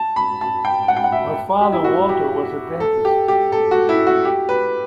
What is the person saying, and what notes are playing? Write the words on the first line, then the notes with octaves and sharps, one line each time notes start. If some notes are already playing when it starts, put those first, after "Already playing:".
Her father, Walter was a dentist.
Already playing: A5
B5
A5
G5
F#5
G5
F#5
E5
G4
E4
F#4
G4
A4
G4
G4
A4
F#4
E4
F#4
G4
B4